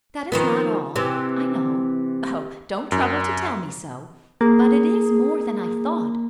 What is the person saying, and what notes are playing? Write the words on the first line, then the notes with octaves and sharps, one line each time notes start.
That is not all, I know--oh! don't trouble to tell me so!--but it is more than I thought.
D#3 F3 B3
C3 E3
F#2
A#3 G#4